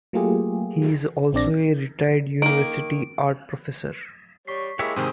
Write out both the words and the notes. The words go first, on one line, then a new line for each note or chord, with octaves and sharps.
He is also a retired university art professor.
F#3 A3 A#3 F4 G4 G#4
A#1 C4 D4 D5 A#6
D#3 A#3 D7
G3 C#5 C#6 B6 C7
G#3 A#3 E4 G4 C#5 E5 E6
G#2 C3 D#3 C4 G4 G#4 D#6